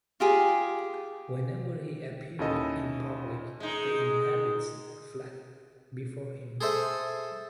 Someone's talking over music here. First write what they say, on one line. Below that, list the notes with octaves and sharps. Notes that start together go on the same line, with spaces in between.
Whenever he appeared in public, the inhabits fled before him.
F4 G4 G#4
D#2 C#4 E4 A4 D#5
G#3 D#4
G#4 A4 C5 E5